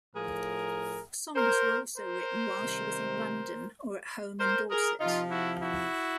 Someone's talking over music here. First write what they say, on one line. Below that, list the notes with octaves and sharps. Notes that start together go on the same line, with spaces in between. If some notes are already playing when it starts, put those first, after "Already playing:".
Songs were also written while she was in London or at home in Dorset.
A2 F3 G#4 A#4
A#4 C5
A#4 C5
C3 D#3 G3
A#4 C5
G#4 A#4
C3 F3 D#4 F4
E4 F#4
E4 F#4